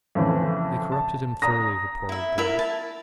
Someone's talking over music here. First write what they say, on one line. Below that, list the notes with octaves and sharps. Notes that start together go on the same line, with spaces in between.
They corrupted him thoroughly, the poor old boy.
F2 A2 C#3 E3
A5
A#5 D#6 A#6
E4 E5
E4 A#4 E5
A5